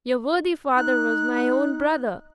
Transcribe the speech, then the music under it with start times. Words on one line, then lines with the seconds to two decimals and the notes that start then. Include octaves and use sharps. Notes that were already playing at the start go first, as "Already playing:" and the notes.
Your worthy father was my own brother.
0.76 D#4 F#6